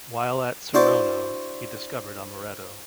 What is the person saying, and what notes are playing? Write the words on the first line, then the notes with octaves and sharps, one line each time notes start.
While at Saronno, he discovered amaretto.
D4 E4 F#4 C5 D5